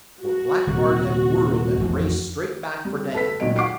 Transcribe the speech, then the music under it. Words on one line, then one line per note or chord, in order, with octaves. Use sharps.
For Black Bart had whirled and raced straight back for Dan.
F#4
D#1 C3 G3
A1 F2 F3
G3
A4 B4 B6
C#2 A#2 D#3 F#3 D#5 D7
F#5 D6 C7 D7